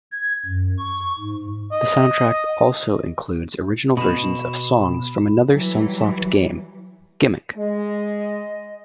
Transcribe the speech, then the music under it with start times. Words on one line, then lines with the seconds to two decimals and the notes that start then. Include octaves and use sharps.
The soundtrack also includes original versions of songs from another Sunsoft game, Gimmick!
0.12 G#6
0.46 F#2
0.78 C#6
1.19 G#2
1.72 D#5
3.97 B2 B5 E7
5.51 E3 F#3 G3
7.57 G#3 D#5